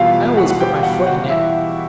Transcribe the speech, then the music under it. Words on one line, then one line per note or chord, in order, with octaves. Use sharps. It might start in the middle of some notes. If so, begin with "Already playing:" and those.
I always put my foot in it.
Already playing: E2 B2 G3 E4 F4 F5
E2 F#4 F#5
F#5
G4 G5
B2 G3 F#4 F#5
F#4 F#5
F5
E2 E4 E5